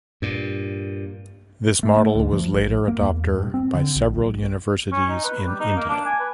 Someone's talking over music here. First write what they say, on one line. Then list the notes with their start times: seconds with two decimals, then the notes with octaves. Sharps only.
This model was later adopter by several universities in India.
0.22 G2 A#2
1.83 A3
1.98 A3
2.15 D2
2.33 F3
2.53 A1
2.88 A#3
3.00 E2
3.38 G2
3.54 C4
3.74 D3
3.96 A#1
4.17 B1
4.92 C#4
5.09 D#4
5.24 B4
5.47 G3
5.60 D#4
5.76 A#3
5.89 D4
6.05 G#5
6.20 B4